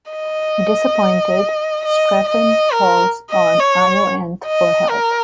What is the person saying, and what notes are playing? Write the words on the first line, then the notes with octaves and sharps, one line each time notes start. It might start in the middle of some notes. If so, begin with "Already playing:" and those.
Disappointed, Strephon calls on Iolanthe for help.
D#5
D#5
D#5
A#4
D#5
C#5
D#5
A#4